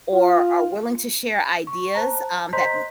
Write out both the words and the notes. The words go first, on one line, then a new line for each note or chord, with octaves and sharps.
or are willing to share ideas, um, that
F4
C#6
C5 A5 A#5
C5 D#5 A#5 C6 G6 B6